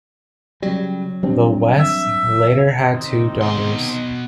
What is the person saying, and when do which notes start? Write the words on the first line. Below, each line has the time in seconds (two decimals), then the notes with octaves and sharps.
The Wests later had two daughters.
0.62 C#3 F#3 G3
1.23 G3 C4 D4
1.78 E5
2.94 C3 D#3
3.42 B2 C6